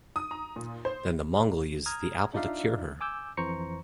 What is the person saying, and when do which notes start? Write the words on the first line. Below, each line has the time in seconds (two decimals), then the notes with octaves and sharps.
Then the Mongol uses the apple to cure her.
0.16 D#6
0.31 A#5
0.56 A#2
0.85 C5
1.86 A#5 D#6 F6 G#6
2.34 D4 D#4 F4 D5 E5 F5
3.01 G#5 D6 E6 G6
3.37 F2 E3 C5 A#5 C#6 C#7